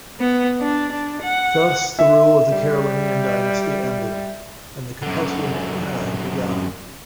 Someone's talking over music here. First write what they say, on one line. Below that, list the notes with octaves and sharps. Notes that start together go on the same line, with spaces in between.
Thus the rule of the Carolingian dynasty ended and the Capetian era had begun.
B3
D4
D4
F#5
E5
G3
F#2 D3